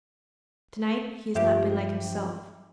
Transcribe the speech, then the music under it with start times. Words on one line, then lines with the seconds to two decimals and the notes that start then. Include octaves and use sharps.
'To-night he has not been like himself.
1.35 G2 F3 G4 E5